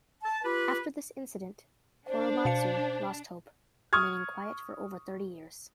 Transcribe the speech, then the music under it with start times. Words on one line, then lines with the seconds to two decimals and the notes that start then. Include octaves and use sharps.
After this incident Korematsu lost hope, remaining quiet for over thirty years.
0.23 A5
0.43 F4 G4 B4
2.07 D4 C5
2.45 B2 F5 C#7
3.93 C#6 D#6 F6 G#6